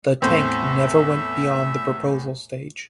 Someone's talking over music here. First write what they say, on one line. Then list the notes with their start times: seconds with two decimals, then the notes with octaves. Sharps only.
The tank never went beyond the proposal stage.
0.22 E2 A2 C4 C5 E5